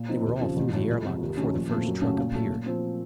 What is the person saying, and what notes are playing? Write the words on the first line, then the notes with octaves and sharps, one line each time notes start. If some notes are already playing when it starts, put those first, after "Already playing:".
They were all through the air lock before the first truck appeared.
Already playing: A#2
F3 C4 D#4
D#2
C#3 F3 C4
A1
A2 F#3
C#2
C3 F3
D#2
D#3 F#3 A3 C#4
A#1
A#2 A3 C4 F4
F#2
C#3 A3 C#4 F#4
A#2
F#3 A3
A#2
F3 C4